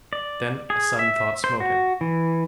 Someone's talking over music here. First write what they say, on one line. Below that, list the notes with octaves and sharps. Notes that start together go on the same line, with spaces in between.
Then a sudden thought smote him.
D5
G#4
E5
C5
F#4
E3